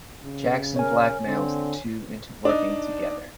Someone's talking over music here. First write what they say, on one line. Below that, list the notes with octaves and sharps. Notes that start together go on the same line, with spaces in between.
Jackson blackmails the two into working together.
C#3
A#4 C#5 G#5
D3 C4
D4 D#4